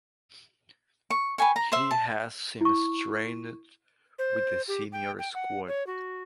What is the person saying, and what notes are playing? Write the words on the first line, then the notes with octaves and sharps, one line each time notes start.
He has since trained with the senior squad.
C#6
B4 G5 G#5 C#6
A#5
C5 E5
A5
E4 C#6
C5
G4
G5
G5
F#5
C#5
F#4